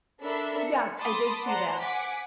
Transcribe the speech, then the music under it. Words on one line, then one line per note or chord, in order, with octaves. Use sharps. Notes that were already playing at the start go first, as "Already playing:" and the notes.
Yes. I did see that
D4 A4 A#4 E5 B5
C#7
A5 B5 C6 D6 D#6
C5 D5 F#5 A5 A#5 C6
F#5 G#5 D6 B6 D7